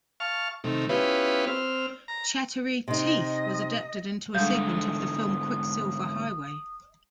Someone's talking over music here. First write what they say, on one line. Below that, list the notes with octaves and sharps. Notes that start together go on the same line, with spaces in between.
"Chattery Teeth" was adapted into a segment of the film "Quicksilver Highway".
F5 A5 C#6 F6
C3 D#3 A3
B3 C#4 E4 F4 G4 B4
C4 F6
A#5
C3 D#4 D#5
G#2 D3 G3 D#6